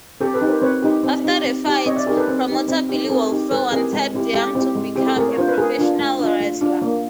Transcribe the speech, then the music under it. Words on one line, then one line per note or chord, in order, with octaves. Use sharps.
After the fight, promoter Billy Wolfe wanted Young to become a professional wrestler.
C4 G4 A4
A4 B4
D#4 G4
A#4 C5
C4 B4 C#5
D#4 G4
C4
D#4 G4
C4
D#4 G4
C4 C#5 D#5
D5 E5
D#4 G4 G#4 A#4
A4 B4
C4
D#4 G4
C4
D#4 G4
A4
C4 G#4 A#4
D#4 G4
G#3 A4 B4
C4 E4 G4 G#4 A#4
G#3
C4 E4 G4
G#3 G4 A4
C4 E4 G4
G#3
C4 E4 G4
A4
A3 G#4 A#4
C#5
D4 F4 C5
B4
A3 G#4 A#4
D4 F4
A3
D4 F4
A3
D4 F4
A#3